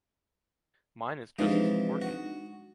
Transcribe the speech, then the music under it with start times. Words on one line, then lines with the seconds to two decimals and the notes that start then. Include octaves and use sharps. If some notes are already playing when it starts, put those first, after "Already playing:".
Mine is just as important.
1.39 C3 E3 F3 G#3 D4 D#4
2.01 F#4